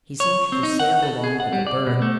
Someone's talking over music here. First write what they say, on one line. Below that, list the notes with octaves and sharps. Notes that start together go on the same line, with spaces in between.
He seemed to sail along like a bird.
C#5
C4
D#4
F#5
A4
G#4
F#5
G3
D5
B2
A3